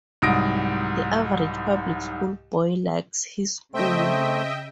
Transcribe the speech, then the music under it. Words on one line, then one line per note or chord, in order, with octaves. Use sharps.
The average public-school boy likes his school.
C2 G#2 F#3 D#6 A#6 D7
C#3 A3 C4 D#5 E5 G5